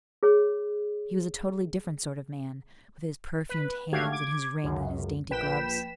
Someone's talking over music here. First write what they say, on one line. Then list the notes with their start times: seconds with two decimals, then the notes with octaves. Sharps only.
He was a totally different sort of man, with his perfumed hands, and his rings, and his dainty gloves.
0.23 G#4 C#5
3.49 B4
3.92 G#1 A3 F#4 G4 F5 G#6
4.12 D6 G#6
4.64 C#2 F#2
5.30 A#1 B4 G5 B6 E7